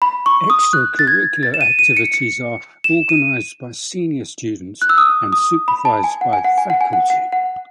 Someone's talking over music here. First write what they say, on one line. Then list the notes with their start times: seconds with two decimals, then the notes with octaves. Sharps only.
Extracurricular activities are organised by senior students and supervised by faculty.
0.02 B5
0.26 C#6
0.50 D#6
0.73 F#6
0.99 A6
1.07 G#6
1.43 A6
1.54 E7
1.61 D#7
1.79 D#7
1.97 C#7
2.14 C#7
2.84 E7
3.09 D#7
4.82 F#6
4.89 E6
4.98 D#6
5.33 D#6
5.68 B5
5.85 A5
6.04 G#5
6.21 F#5
6.33 G#5
6.45 F#5
6.58 G#5
6.70 F#5
6.81 G#5
6.93 F#5
7.10 F#5
7.32 F#5